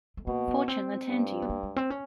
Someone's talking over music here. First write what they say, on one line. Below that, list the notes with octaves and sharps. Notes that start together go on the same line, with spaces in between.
Fortune attend you !
A3
B2 A#3
B3
C4
G2
B3
A#3
G#3
C4
C#4